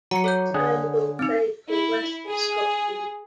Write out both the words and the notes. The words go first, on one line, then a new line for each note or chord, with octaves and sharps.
Turnbull played for West of Scotland.
F#3 A#5 C#7
A4 C#5 G6
D3 G#4 F#5
C4 D#4
E4
G#4